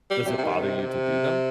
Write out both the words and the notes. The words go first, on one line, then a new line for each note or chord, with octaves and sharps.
does it bother you to do them?
G3
C3
C3
D#3
C3
C3